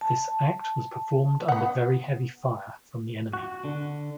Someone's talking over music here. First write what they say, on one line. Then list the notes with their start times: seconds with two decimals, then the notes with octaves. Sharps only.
This act was performed under very heavy fire from the enemy.
0.01 A5
1.48 B3 F#5
3.33 F#4
3.65 D3